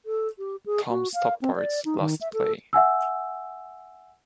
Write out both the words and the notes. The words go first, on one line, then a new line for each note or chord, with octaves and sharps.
Tom Stoppard’s last play.
A4
G4
G#4
F#4
F5
C4
D5
D#4
D#3
E5
A4
E5 F#5 G#5 E6